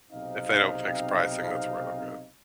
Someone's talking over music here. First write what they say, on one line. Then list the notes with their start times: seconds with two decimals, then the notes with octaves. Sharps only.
If they don't fix pricing, that's where it'll go.
0.12 B1 C3 C4 D#4 F5